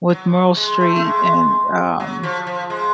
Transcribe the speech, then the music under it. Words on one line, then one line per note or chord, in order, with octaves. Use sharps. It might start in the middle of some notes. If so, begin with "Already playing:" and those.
with Meryl Streep and um
F#3
G#3
A3
A3
G#3
F#3
F3
F3
G#3